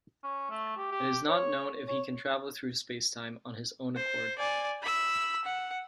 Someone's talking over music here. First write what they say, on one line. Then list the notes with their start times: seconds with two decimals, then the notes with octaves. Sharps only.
It is not known if he can travel through space-time on his own accord.
0.23 C#4
0.50 A3
0.77 G4
0.91 G4
1.28 C#5
1.88 C#5
3.96 C5
4.39 D5 G#5
4.82 B5 E6
5.45 F#5